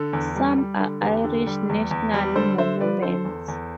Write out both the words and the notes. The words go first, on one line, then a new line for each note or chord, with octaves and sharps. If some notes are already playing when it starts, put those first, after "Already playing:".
Some are Irish national monuments.
Already playing: D3 A4
E2
G3
G3
D3
E2 G4 B4
D3
G3
E2
E2
G3
D3 A4 C5
D3 C5 E5
F3 B4 D5
D3 A4 C5
E2
E2